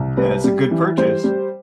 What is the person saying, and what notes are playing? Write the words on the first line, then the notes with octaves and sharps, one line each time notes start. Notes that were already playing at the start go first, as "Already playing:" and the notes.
Yeah, it's a good purchase.
Already playing: C2
G3 B4
G3
E3
G3 C5
G3